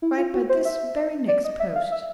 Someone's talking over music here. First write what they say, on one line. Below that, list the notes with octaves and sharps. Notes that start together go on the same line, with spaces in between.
Write by this very next post.
E4
F4
F#4
C5
E5
D5
D#5
E5
F5
E5